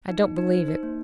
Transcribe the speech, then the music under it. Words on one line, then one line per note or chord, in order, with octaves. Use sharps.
"I don't believe it!"
D#4
D#4
D#4
D#4 C5
D#4
A#3